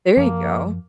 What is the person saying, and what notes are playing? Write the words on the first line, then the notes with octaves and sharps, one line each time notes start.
There you go.
F#2 F3 A#3